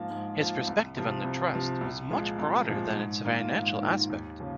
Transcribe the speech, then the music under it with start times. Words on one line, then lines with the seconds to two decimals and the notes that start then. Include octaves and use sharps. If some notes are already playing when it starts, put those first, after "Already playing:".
His perspective on the Trust was much broader than its financial aspect.
Already playing: G#2 F3 A#3 F4
0.10 G#2
0.39 F3 A#3 F4
0.67 C2
0.97 C3 F3
1.24 C2
1.54 C3 F3
1.81 C2
2.10 A#2 F3 G#3
2.39 C2
2.68 A#2 F3 G#3
2.97 G#2
3.25 D#3 A#3 F4 A#4
3.54 G#2
3.81 D#3 A#3 F4 A#4
4.10 D#2
4.40 C#3 F3 A#3